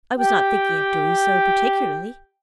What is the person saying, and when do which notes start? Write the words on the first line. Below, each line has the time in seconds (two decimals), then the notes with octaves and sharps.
"I was not thinking of doing so particularly."
0.18 G4 G5